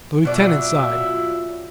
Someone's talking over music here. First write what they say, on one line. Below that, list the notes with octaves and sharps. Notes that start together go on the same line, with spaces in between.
The Lieutenant sighed.
B2 F#3 F4 F#4 D5 E5